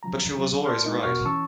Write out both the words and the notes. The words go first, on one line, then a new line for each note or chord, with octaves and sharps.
But she was always right.
C#3 F3 F#3 A#5
F#3
D5 A5 C6 F6
G#3 D#4 E4 A#4
E2 B2 F#4 A#4 C#6 F6
E3 C#4 A5 C#6 E6